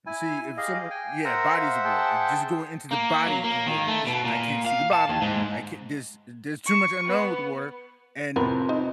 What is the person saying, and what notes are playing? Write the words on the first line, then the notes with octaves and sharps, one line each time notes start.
see, if some yeah, bodies of water, just go into the body of water 'cause I can't see the bottom, I can't there's there's too much unknown with water, and
E4 G#5
G4 G#4 D#5 F5
G5 G#5
A#4 C5 E5 F#5 A#5
F5
G#4 G5 A5
A#3
F#3
A#3
D#3
A3
B2
A#2
F5
A5
D#2
G#2
C#6
B3
F2 C3 F3 B3 A#4 B4
D#4